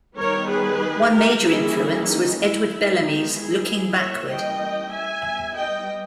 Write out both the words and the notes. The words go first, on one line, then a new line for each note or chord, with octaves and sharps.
One major influence was Edward Bellamy's "Looking Backward".
D#3 G3 B3 A#4 C#5
G#4 B4
G4 A#4
E3 G3 A#3 C#4 E4 G#4
D#4
E4
D#3 G#3 B3
D#4 G4
E4 G#4
E3 G3 A#3 C#4 C#5 E5
D#5 G5
E5 G#5
G3 B3
D#5 G5